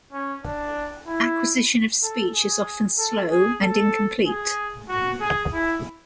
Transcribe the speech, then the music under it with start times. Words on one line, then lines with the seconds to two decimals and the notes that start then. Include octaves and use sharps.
Acquisition of speech is often slow and incomplete.
0.12 C#4
0.44 D4
1.07 E4
2.03 A4
2.34 G#4
2.98 A4
3.30 G#4
3.62 A4
4.25 G#4
4.89 F#4
5.20 G#4
5.53 E4